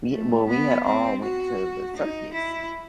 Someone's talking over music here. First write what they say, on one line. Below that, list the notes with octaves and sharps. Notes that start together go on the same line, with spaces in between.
we well, we had all went to the circus.
A3
B3
C4
F#4
D#4
E4